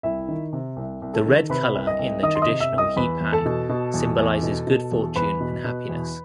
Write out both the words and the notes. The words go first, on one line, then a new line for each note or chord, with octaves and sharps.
The red color in the traditional hee pan symbolizes good fortune and happiness.
C2 E4 E5
D#3
C3
C2
C2
A4 A5
D#3
C3 B4 B5
C2
D#5 D#6
C2
D#3 D#5 D#6
C6
D#5 D#6
C3
E5 E6
C2
D#5 D#6
E2 B4 B5
E2
A4 A5
B2
B2
E2
E2
B2
B2
E2
E2 B4 B5
B2
B2
E2